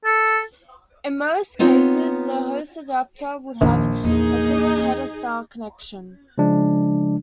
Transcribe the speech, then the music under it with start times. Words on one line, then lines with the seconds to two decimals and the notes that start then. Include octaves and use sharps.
In most cases, the host adapter would have a similar header-style connection.
0.05 A4
1.59 B3 C4 D#4 F4 C#5
3.61 A#1 D#2 D#3
4.04 E2 A#3 D#4 G#4
6.38 C#3 F3 G#3 D4